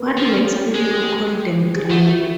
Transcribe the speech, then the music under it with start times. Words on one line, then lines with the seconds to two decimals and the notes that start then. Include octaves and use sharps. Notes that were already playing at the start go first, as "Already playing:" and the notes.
What makes people call them green?
Already playing: A#3 B3
0.16 F3 C4
0.36 C#4
0.55 G4
0.75 G#3 G#4
1.03 G4
1.76 G#4
1.84 G4
1.91 A3 F#4
2.20 E4